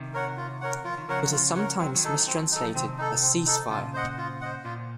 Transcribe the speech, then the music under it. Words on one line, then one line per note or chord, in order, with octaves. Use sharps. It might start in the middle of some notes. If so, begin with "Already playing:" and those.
It is sometimes mistranslated as "cease-fire".
Already playing: C3 D#3
A#4 C#5 F#5
F4
A#4 C#5 F#5
F3 F4
D#3
C#3 F3 A#4 C#5 F#5
F4
A#4 C#5 F#5
F#3 C4
D#3 F#3
D#4 A4
C4
D#4 A4
F3
C3 D#3 C4
D#4 A4
C4
D#4 A4
A#2 C#3 F4
C5 D#5 F#5
F4
C5 D#5 F#5
A#2 F4